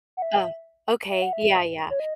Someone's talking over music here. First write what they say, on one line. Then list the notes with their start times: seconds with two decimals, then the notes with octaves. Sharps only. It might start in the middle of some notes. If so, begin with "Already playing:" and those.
Oh, okay, yeah, yeah,
0.17 F#5
0.22 E5
1.10 E5
1.22 F#5
1.33 E5
1.90 C#5
2.00 D#5